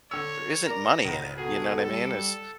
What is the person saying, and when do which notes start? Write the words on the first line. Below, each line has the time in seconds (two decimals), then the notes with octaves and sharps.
There isn't money in it, you know what I mean? It's
0.11 D3 C#5 E6
0.66 A#4 D5 A#5
1.05 C#2 G#2
1.38 B2 F#4 G#4 A4
1.84 G3 A4